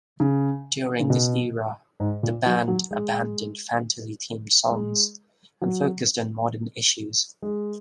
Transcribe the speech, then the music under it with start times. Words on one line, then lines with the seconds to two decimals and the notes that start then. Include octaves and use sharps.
During this era, the band abandoned fantasy themed songs and focused on modern issues.
0.20 C#3
1.00 C#3
1.10 B2
2.00 G#2
2.23 A#2
2.46 F#3
2.68 F#3
2.91 G#3
4.71 G#3
5.62 F#3
7.42 G#3